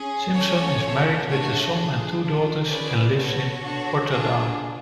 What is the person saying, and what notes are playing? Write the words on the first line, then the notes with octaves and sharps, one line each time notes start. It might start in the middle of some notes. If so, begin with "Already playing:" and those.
Simpson is married with a son and two daughters, and lives in Portadown.
Already playing: C#4 G#4
C#4 F#4 A4 C#5
C#4 F4 A4
A3 D4 F#4 A4 C#5
D4 F4 G#4
D4 F4 A4
C#4 F4 G#4 B4 D5
B3 F#4 A4 C#5
D4 F#4 A4
D4 F4 G#4